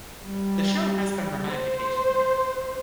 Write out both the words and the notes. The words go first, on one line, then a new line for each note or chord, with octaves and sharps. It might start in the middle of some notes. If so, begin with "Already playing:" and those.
The show has been revived occasionally.
G3
C5